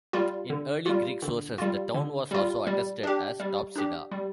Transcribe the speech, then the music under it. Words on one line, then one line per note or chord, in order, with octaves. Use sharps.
In early Greek sources the town was also attested as Topsida.
G3 F4
D3
G3 F4
D3
G3 F4
D3
G3 F4
G3
D4 G4
G3
D4 G4
G3